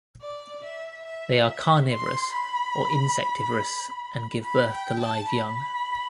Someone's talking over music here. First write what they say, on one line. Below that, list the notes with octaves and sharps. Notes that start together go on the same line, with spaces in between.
They are carnivorous or insectivorous, and give birth to live young.
D5
E5
E5
C6
B5
B5
G5
A5
B5